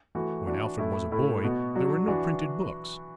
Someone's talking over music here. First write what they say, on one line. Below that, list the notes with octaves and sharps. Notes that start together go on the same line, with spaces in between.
When Alfred was a boy there were no printed books.
E3 A3 F#4
E3 D4 F#4
A2 A3 E4
A2 A3 E4
B2 B3 F#4
F#3 D4 F#4
E3 D4 F#4